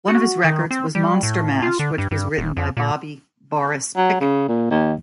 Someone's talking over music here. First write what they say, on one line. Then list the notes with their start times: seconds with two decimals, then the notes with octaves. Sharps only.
One of his records was "Monster Mash", which was written by Bobby "Boris" Pickett.
0.08 F#4
0.44 D#3
0.71 C4
0.95 G3
1.23 A2
1.62 F4
1.79 D3
1.98 G2
2.11 G2
2.38 D#1
2.57 F2
2.77 A#2
3.97 F#3
4.21 C#3
4.48 A#2
4.71 D#2